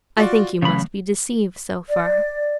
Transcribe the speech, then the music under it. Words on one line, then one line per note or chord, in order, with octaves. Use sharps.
I think you must be deceived so far.
F4 F#4 D5
C2 C#3 E3 F#3 A3 B5
D5